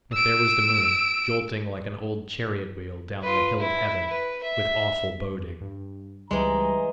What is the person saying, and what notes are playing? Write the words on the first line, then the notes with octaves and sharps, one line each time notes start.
But there was the moon jolting like an old chariot-wheel down the hill of heaven, with awful boding!
E6 D7
F4 B4
E4
B4
E5
G2
C#2 E3 G3 G#3 A#5